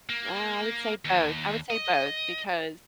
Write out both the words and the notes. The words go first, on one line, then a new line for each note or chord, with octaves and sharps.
I would say both I would say both, because,
A#3
D#2
D#5